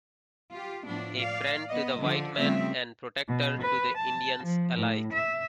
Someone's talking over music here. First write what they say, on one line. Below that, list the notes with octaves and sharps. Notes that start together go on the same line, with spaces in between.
A friend to the white man and protector to the Indians alike.
F4 G4
A2 F3 B3 D4
D5 F5
B3 D#5
D3 F3
C#3 F3 G3 A3 C4 E5
B2
B4
A5
F3
A2
E5